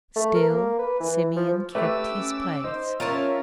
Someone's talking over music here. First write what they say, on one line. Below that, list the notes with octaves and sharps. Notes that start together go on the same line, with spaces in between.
Still Simeon kept his place.
A3
A#4
A#3
B4
E3
F3
A3 G4 B4 D6 E6
C#4
D#4 C5
C#4 F4 A#4 C#5 E5 A5